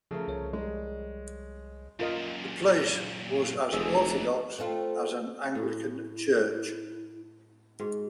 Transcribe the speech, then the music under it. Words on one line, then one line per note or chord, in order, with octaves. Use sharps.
The place was as orthodox as an Anglican church.
C#3 F3 A3 A#4
C2 C#5
G3 G#3
F#2 A#2 F4 A#4 D#5
F1 G#2 E3 G#4 E6
A3 C4 F4
A2 E4
G#2 F#4